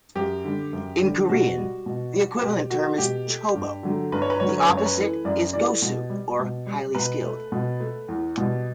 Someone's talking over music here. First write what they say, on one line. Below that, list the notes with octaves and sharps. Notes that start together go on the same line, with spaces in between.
In Korean, the equivalent term is "Chobo"; the opposite is Gosu, or "highly skilled".
F#2 G4
D3 G3
F#2
D3 G3
B2 F#4
G3
B2
G3
B2 G4
A3 F#4
B2 G4
A3
G2
D3 F#3 A3
G2 B4
C#5
B4
D3 F#3 A3 C#5
B4
C#5
F#2 B4
C#5
B4
E3 A3
F#2 D5
E3 A3 D5
B2
G3
B2
G3
B2 B4
A3
B2
A3
E2
B2 G3